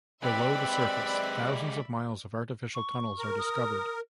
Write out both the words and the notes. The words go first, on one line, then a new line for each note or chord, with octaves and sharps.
Below the surface, thousands of miles of artificial tunnels are discovered.
G#3 C4 G4 B4 D5 E5 B5
C#6
A#4
D#6